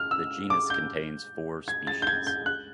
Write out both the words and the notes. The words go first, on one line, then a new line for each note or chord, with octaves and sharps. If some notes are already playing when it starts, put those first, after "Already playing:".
The genus contains four species.
Already playing: F6
E6
D6
G6
G#6
A6
G6
G#6
G6
F#6